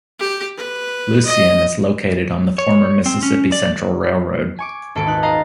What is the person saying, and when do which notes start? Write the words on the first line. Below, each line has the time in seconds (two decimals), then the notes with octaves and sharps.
Lucien is located on the former Mississippi Central Railroad.
0.19 G4
0.57 B4
1.25 D#5
2.58 C#5
3.06 C4
3.23 C#4
3.52 D5
4.59 G#5 C#6 D6
4.95 D#1 G#1 A4 B4 D7
5.07 D#4 F#6
5.23 D#5 F5 A#5 A6 C7